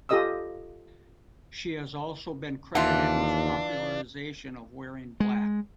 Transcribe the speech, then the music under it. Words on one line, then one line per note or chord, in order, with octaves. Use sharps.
She has also been credited with popularisation of wearing black.
F4 G4 A4 D#5 D#6 E6
D#2 E3 D4 E4 F4 E5 F#5
G#3